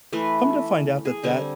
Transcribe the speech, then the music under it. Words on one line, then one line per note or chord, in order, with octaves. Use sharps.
Come to find out that that
E3 A3 B4 C6
G#4
D3 G3 C4 G#5